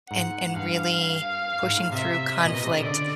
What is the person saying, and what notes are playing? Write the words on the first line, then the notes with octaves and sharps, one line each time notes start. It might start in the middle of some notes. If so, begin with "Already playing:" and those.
and and really pushing through conflict
G#2 F#5
G2 F5
F5
G#2
A2
C3 E5
D#5
A#2
B2
C3
C#3
D3 D5